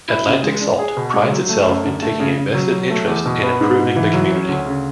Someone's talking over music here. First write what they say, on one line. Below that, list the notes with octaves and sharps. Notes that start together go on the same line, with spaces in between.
Atlantic Salt prides itself in taking a vested interest in improving the community.
E4
C#3
G#3
D4
G#4
B2
G#3
F#3
A3
F#2
D3
A3
C#3
C#3
F#3
F#3
A3
E2
B2
B3
G#2
G#2
E3
F#3
C#4
D2
C#3